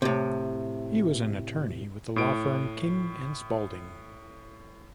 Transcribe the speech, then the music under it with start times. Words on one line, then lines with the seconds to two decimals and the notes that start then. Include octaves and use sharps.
He was an attorney with the law firm King and Spalding.
0.02 A2 C3
2.16 A2 D7